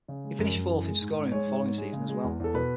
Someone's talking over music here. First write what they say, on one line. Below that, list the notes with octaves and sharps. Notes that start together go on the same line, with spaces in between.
He finished fourth in scoring the following season as well.
C#3
G#3
F#2
F#2
E3
G#3
G#2
G#2
G#3 C#5
G#2
G#2
G#3
C#3
G#3
E2
E2 A4
B2 B4